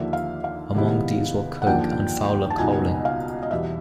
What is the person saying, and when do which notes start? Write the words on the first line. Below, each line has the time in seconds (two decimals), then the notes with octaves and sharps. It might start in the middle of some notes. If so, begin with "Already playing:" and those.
Among these were Coke and Fowler Cowling.
Already playing: D#2 D3 F3 A#3 E5
0.13 F5
0.44 F5
0.75 C3 D#3 G#3 B3 E4
1.62 F#5
1.67 D#2 D3 F3 A#3 D4 G5
2.50 A5
2.58 C#2 B2 G3 B3 D#4 G#5
3.05 F5
3.43 D#5
3.51 E2 B2 G3 E5